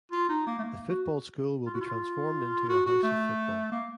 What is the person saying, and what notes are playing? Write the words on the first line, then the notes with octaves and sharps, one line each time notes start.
The football school will be transformed into a House of Football.
F4
D#4
A#3
A3
A#3
F#4
F4
F#4
F4
F#4
F#4
A3
A#3